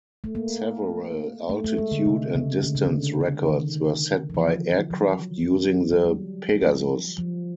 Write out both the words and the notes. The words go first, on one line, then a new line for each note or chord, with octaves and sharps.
Several altitude and distance records were set by aircraft using the Pegasus.
A3
A#3
A3
A3
G#3
D3
C3
C#3
D3
C#3
D3
D3
D#3
E3
F3
F#3
F#3
G3
F3
F3